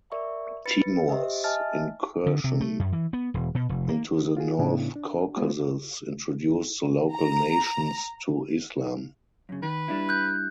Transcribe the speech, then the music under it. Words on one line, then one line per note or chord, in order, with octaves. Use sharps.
Timur's incursion into the North Caucasus introduced the local nations to Islam.
A#4 D5 E5 C#6
B4 B5 A6 C#7
G4 C5 D#5 E5
D#5 E5 G#5 A5 F6 A6
D3
C3
A3
F#2
E3
B3
E1
B2
F1
A#3
F4 F#4 G#4
A2 C#3 B3 D4 E4
D4
G#3 A3 B3 F4 C5
A#5
F#2 C#3
D#3 B4
G3 D4 E4
F#6 G6